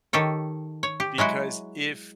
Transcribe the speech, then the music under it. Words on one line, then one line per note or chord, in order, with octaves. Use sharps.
Because if
D#3 G4 A4 C#5
C#5
G4
F#3 G#3 E4 F#4